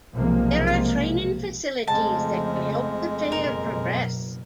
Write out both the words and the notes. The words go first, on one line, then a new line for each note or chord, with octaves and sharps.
There are training facilities that can help the player progress.
B1 C3 F3 G#3 A#3
F2 C#3 F3 G#3 A3 A5
F#1 B2 A#4